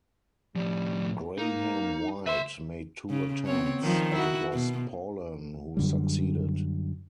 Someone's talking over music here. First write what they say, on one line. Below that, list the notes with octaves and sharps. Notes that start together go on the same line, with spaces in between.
Grahame-White made two attempts, but it was Paulhan who succeeded.
A2 F3 G3
A#3 D#4
B4 E5 C6
C#3
B3 C4 C#5
D#3 F3
E4 F#4
B2
F#2 D3 G3